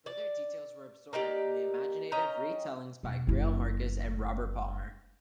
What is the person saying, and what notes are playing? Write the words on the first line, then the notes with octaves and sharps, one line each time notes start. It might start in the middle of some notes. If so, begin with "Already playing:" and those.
Further details were absorbed from the imaginative retellings by Greil Marcus and Robert Palmer.
D5
A#3 D#4 G4 D5
C#4 D#5 G5 A#5
E1
F#1 E4